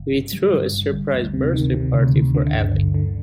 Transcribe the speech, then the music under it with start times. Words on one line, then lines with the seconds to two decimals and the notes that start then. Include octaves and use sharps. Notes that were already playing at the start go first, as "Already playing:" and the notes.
We threw a surprise birthday party for Ali.
Already playing: G1
0.12 G1
0.33 G2
0.53 G2
0.72 G1
0.93 G1
1.13 D2
1.34 C3
1.53 D#3
1.74 C3
1.94 D2
2.14 D2
2.34 D3
2.54 G1
2.75 G1
2.94 D3